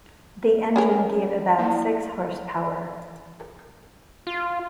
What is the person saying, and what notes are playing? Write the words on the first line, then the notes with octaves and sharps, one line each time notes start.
The engine gave about six horse-power.
C#4 G#4 A#4
A#3 E4 D5
F4